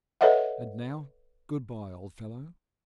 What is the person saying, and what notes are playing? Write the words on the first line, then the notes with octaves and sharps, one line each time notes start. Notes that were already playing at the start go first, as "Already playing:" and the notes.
And now, good-bye, old fellow.
A4 B4 C#5 D#5 E5 F#5